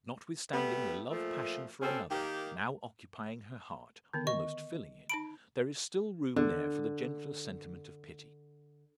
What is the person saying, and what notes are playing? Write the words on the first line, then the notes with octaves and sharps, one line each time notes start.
Notwithstanding the love passion for another now occupying her heart--almost filling it--there is still room there for the gentler sentiment of pity.
G3 A3 B3
A#2 F3 A3
B2 C4 C#4 A4
D#3 A#3 G4
D3 D#3 B3
D#5 C#6
D#4 A5 B5 D7
E2 D3